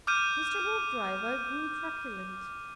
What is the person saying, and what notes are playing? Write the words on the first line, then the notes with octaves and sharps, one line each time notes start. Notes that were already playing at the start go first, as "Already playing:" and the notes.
Mr. Hoopdriver grew truculent.
D6 F6 G6 D#7